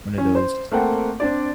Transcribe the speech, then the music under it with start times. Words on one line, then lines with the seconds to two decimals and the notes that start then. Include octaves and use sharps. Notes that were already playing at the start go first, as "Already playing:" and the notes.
one of those
0.17 E3 C#4
0.35 C5
0.72 A3 A#3 C4 F#5 G5
1.20 C4 D4 D5